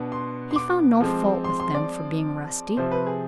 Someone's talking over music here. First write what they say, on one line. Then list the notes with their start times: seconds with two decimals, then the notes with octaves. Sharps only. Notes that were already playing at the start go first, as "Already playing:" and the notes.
He found no fault with them for being rusty.
Already playing: B2 B3 D4
0.12 C6
0.51 C6
0.56 D6
1.01 F3 G#3 C4
1.44 C6
1.60 C6
1.75 D5
2.77 C3 F3 C4 C5
2.91 B4
3.06 G#4